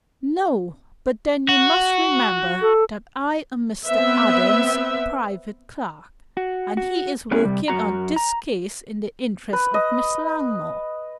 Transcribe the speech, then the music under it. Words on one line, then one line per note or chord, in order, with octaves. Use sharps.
"No, but then you must remember that I am Mr. Adams' private clerk, and he is working on this case in the interests of Miss Langmore."
F#4
A4
B3 C4 B4 E5
F#4
F#4
G2 G3 B3 C#4 E4 G#4
C3 G3
F#2 F#4 A#5
A#5
B4
D#5